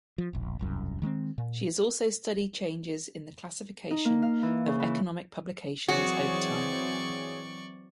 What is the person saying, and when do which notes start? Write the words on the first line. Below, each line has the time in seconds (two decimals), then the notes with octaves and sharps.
She has also studied changes in the classification of economic publications over time.
0.18 F3
0.33 E1 A#1
0.59 E1 C2 F#2
1.02 D#3 G#3 A#3 C4
1.38 A#2
3.91 D#4
4.05 A#3
4.22 F5
4.43 E3
4.66 C#3
4.80 E3
5.88 E3 F#3 C4 F#4 G#4 C#5 D5 C#6